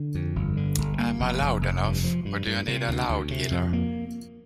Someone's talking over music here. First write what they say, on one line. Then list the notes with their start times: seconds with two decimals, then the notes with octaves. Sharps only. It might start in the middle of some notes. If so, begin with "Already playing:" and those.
Am I loud enough, or do I need a loudhailer?
Already playing: D3
0.15 F2
0.36 G1
0.57 D3
0.78 G1
0.99 A#3
1.20 F1
1.41 F1
1.61 F1
1.83 G2
2.04 F3
2.25 G2
2.47 G2
2.68 C3
2.89 D2
3.10 D2
3.31 C3
3.51 F2
3.73 A#3